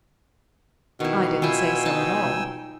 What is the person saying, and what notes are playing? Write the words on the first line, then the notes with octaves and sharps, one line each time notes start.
"I didn't say so at all."
B2 D#3 E4
E4 F4 G5 G#5 E6
D#4 A5